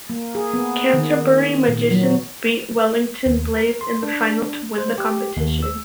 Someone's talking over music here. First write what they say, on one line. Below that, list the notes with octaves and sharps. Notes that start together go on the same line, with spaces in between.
Canterbury Magicians beat Wellington Blaze in the final to win the competition.
A#3
G#4
B3
D#3
A#2
F#3
D#2
A#4
C6
D4
C5
G4
D#2
E6